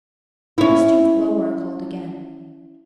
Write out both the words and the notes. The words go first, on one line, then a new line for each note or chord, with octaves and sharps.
He stooped lower, and called again.
C#4 E4